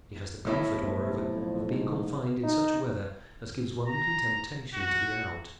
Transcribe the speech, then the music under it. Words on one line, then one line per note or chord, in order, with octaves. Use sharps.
She has the comfort moreover of being confined in such weather as gives one little temptation to be out.
B1 A2 E4
C3
F2
G#2
D#4
A#5
F#4